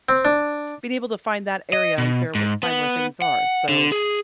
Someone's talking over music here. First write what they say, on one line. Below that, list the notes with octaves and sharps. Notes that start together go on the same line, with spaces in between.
being able to find that area and fair were find where things are, so,
C4
D4
D#5
B2
G#2
B3
F#5
D3
G#4